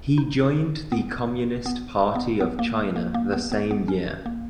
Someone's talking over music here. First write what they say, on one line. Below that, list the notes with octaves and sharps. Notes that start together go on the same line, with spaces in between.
He joined the Communist Party of China the same year.
D#4
B3
B3
B3
B3
A#3
A#3
A#3
B3
B3
B3
C#4
A#3